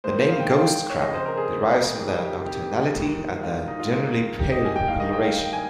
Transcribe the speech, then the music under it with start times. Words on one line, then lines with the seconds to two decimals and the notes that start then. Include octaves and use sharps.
The name "ghost crab" derives from their nocturnality and their generally pale coloration.
0.04 G#2 D#3 C5
0.28 F5
0.40 G5
0.50 F5
0.59 G5
0.90 C#5
1.01 F2 C#3 D#5
1.14 C5
1.26 A#4
1.37 G#4
1.98 F2 C3 D#3 G#4
2.22 G4
2.46 G4
2.94 G#2 D#3
3.43 F4
3.68 D#4
3.80 F4
3.92 G#2 D#3
4.39 G4
4.52 D#5
4.65 G#5
4.76 G5
4.88 G2 D#3 F5
5.00 D#5
5.13 G5
5.25 F5
5.37 G5
5.53 G#5